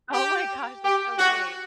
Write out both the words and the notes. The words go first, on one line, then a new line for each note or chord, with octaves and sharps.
Oh my gosh. That's so great.
G4
G4
F#4